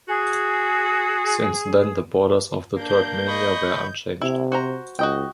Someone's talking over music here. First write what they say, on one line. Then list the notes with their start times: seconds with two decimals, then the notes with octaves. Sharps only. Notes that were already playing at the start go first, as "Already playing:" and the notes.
Since then the borders of the Turkmenia were unchanged.
0.08 F#4 G#4
2.77 A#3 D4 G6
3.28 D#5 B5 C#6
4.22 C3 E4
4.52 F#4 C5 A#5
4.99 C#2 F#4 D#5 G5